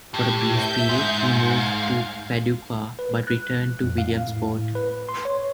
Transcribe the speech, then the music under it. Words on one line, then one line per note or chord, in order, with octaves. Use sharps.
For a brief period, he moved to Paducah, but returned to Williamsport.
A2 G4
E5 G6
G#2
F5
B4
F#6
F2
F5
A2
B4
C6
C#5